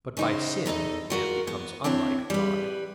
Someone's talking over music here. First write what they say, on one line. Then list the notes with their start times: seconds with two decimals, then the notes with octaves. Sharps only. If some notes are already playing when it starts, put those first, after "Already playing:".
But by sin man becomes unlike God.
0.17 C#3 D#4 C5
0.66 E2 D#4 A4 D#5
1.10 F4 F#4 A#4
1.47 B3
1.84 C4 D4 E4 C#5
2.30 G3 B4